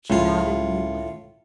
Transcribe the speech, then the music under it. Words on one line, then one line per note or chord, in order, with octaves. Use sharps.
She nodded mutely.
C#2 A2 F4